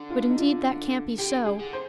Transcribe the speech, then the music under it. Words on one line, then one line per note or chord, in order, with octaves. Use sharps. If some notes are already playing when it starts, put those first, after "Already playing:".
But indeed that can't be so.
Already playing: D3
F4
D#4
F4
D3 G4
G#4
D3
C5